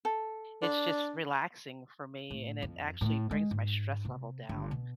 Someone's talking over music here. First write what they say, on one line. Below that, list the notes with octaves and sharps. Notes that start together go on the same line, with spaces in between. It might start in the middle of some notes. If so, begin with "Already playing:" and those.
it's just relaxing for me and it actually brings my stress level down,
A4
D4
A2
F2
A2
G#3
G#2
C3
G1
B2